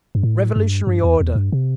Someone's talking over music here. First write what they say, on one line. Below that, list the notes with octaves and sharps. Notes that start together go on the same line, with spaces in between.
Revolutionary order.
G2
A2
G2
G2
E2
E2
G2
C3